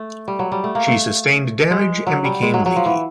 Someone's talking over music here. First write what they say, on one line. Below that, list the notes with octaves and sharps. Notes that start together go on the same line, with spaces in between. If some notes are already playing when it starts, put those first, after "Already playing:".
She sustained damage and became leaky.
Already playing: A3
G3
F#3
G3
A3
A#3
A3
G#3
F#3
G3
G#3
F#3
F#3
F3
E3